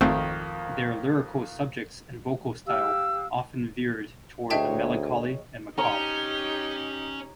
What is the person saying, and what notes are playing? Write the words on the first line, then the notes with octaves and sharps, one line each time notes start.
Their lyrical subjects and vocal style often veered towards the melancholy and macabre.
G#1 F2 D#3 A3 C4
G4 F5 E6
D2 G#3 D#4 C#5 E5 G5 A5
C#4 D#4 G4 C#5 A#5 G7